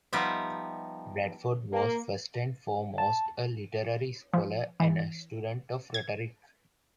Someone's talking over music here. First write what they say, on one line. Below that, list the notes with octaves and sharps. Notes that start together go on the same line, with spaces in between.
Bradford was first and foremost a literary scholar and a student of rhetoric.
F3 G3 B3 D#4 G4 E5
A#3
A5
F3
E3
G#6